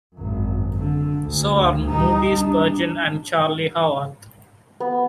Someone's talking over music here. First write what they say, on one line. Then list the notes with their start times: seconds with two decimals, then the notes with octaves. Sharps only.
So are Moody Spurgeon and Charlie Howarth.
0.14 G#1 F#2
0.78 D3
1.23 D2
1.86 G3 D#4
2.37 D4
4.80 B3